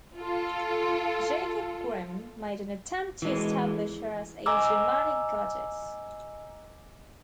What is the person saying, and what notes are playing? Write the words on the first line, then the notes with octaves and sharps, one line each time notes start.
Jacob Grimm made an attempt to establish her as a Germanic goddess.
F4 A4
E3 G#3
D#5 G#5 A#5 D6 E6